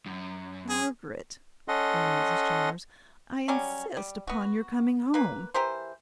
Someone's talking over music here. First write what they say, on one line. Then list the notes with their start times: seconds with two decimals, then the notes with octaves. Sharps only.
"Margaret," groaned Mrs. Chalmers, "I insist upon your coming home."
0.06 F#2
0.70 G#4
1.68 C#4 A4 D#5 F#5 C6
3.48 F#3 G3 C#4
3.97 G3
4.27 B3 F#4
5.14 A#3 B4
5.54 E3 G4 A#4 C5